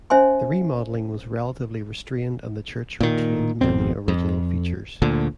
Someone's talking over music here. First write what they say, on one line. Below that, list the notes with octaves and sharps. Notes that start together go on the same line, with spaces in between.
The remodelling was relatively restrained and the church retains many original features.
C#4 C5 E5 G#5 C6
A#2 D#3
G#1 F2 B2 C4
F2
D2 A#2 D3